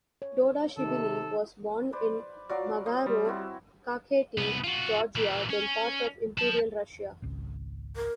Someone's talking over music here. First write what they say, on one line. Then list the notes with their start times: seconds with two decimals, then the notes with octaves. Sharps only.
Dodashvili was born in Magharo, Kakheti, Georgia, then part of Imperial Russia.
0.22 C#5
0.77 C3 D#3 D#4 A4
1.92 B4 C5 D5
2.49 F#3 F4 F#4 D5 D6
2.86 C5 D#5
3.06 G3
3.25 C4 E4 F#4
4.38 C2 B3
4.64 F4 F#4
5.16 A#2 E3
5.50 C#4
6.38 C5 A5
7.22 G#1 C#2
7.96 A#4